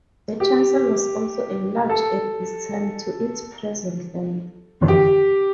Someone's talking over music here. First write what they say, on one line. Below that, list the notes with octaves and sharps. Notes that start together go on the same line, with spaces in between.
The chancel was also enlarged at this time to its present length.
G4
A4
G4